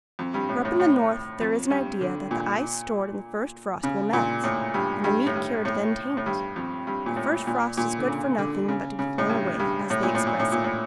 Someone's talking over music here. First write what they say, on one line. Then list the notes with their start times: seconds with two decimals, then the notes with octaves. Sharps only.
For up in the north there is an idea that the ice stored in the first frost will melt, and the meat cured then taint; the first frost is good for nothing but to be thrown away, as they express it.
0.19 F2
0.34 G2
0.49 A2
0.65 A2
0.80 A2
1.41 F2
1.70 G2
2.01 D3
2.31 A#2
3.83 C#3
4.13 A#2
4.44 A2
4.74 G2
5.04 G2
5.26 A2
5.35 G2
5.65 A2
6.17 A2
6.26 G2
6.56 F2
6.87 G2
7.06 A#2
7.16 A2
7.47 A#2
7.77 A#2
7.99 D3
8.08 C#3
8.38 D3
8.68 C#3
8.99 C#3
9.18 A2
9.29 G2
9.59 G2
9.90 A2
10.03 A#2
10.15 A2
10.27 A#2
10.40 A2
10.52 A#2
10.64 A2